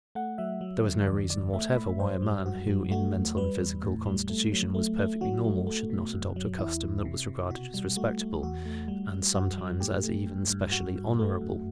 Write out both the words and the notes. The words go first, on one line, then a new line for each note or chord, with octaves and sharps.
There was no reason whatever why a man, who in mental and physical constitution was perfectly normal, should not adopt a custom that was regarded as respectable, and sometimes as even specially honorable.
A3 F#5
F#3 E5
F#3
D3
E2 D5
E2 D5
A3 E5
A2 B5
F#2 C5
G3
F#2 F#4
F#3
A3 F#4
E2
G3 B4
E2
A2
G3
A3
F#3
A3
A3
F#3 F#4
A3
A3
B2
F#2
F#3
E2 E4
E2
C3
C3
B2 F#4
G3
A3 F#4
A3
E2 F#4
A3
G3
G3
F#2 F#4
F#3
A2 G4
A3
G2
G2
G2 F#4
G2
A3
F#2